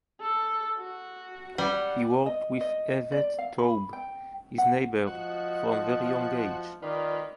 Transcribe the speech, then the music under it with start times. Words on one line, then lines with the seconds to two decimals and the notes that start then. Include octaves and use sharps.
He worked with Evert Taube, his neighbor from a very young age.
0.21 A4
0.79 F#4
1.58 G3 F#5
2.26 D#5
2.61 D#5
3.12 D5
3.39 F5
3.58 B5
3.93 G5
4.58 F#5
5.07 F3 F#4 D#5 F#5
6.82 D#3 F4 B4 D5